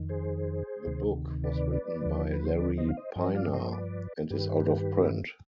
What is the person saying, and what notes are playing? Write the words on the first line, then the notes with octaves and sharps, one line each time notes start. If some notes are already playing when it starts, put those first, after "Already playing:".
The book was written by Larry Pina and is out of print.
Already playing: F2 D#3
G#4 C5
D2 C3 D#3
B4 D5
D#2 D3 F3
B4
C5
B4 D5
C5 D#5
F5
C5 D#5
G2 F3 C5 D#5
D5 F5
C5 D#5
C5
B4 D5
G2 D#3 G4 B4